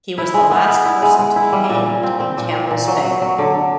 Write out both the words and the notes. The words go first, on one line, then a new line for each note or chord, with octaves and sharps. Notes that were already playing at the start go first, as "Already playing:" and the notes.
He was the last person to be hanged in Campbell's Bay.
E4
G#3
B3
B3
E4
G#3
G#3
E4
G3
A#2
A#2
C4
C4
A#2
C4
A#2
F#3
F#3
F#3
D3
D3